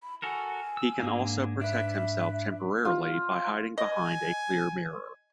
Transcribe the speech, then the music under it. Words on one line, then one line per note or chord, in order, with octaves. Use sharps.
He can also protect himself temporarily by hiding behind a clear mirror.
B5
F#4 A4 A#4 G#5
E6
G#2 A#3 D4 G#4 F5
D4 B4 E5
F4
D#5 G#5